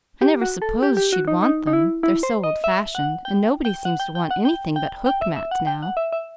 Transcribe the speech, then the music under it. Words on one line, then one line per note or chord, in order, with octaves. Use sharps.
I never supposed she'd want them--they're so old-fashioned, and nobody seems to want anything but hooked mats now.
G4
F#4
A4
G4
G4
F#4
D#4
D#4
D#4
E4
E4
C5
D#5
E5
F#5
G5
G5
F#5
G5
G5
F#5
G5
G5
G5
E5
E5
F#5
G5
F#5
E5
E5